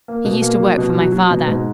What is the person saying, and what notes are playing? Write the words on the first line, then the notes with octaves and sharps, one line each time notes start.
He used to work for my father.
A#3
B2
A#3
F#3
B2
F#3
F#3
B2
G#2